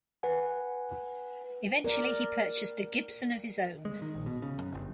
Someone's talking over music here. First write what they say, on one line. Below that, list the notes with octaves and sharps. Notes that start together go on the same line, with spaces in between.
Eventually he purchased a Gibson of his own.
B4 F#5 G#5
A#4 D5
G#3
D#3
A#1
B2
C#3
F#2
G1